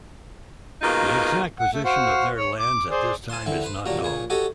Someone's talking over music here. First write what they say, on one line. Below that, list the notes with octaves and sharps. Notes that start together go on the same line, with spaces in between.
The exact position of their lands at this time is not known.
B2 D#3 G#3 A#3 D#4 F4
F#5
A3
F#4 C5 F5
C#5
D6
G#4 C5 D5
C5 G#5 A5 C6
D3 E3 C4
B4 C5
G2 A#2 F#3 D4 A#5
A#2 G#4 C#5
F#4 G4 A4 C#5 D#5